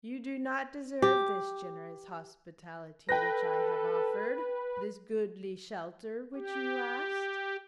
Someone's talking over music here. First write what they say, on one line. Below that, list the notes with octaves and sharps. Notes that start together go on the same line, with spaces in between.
You do not deserve this generous hospitality which I have offered, this goodly shelter which you asked.
G4
A4 B4 G5 F#6 A#6
G4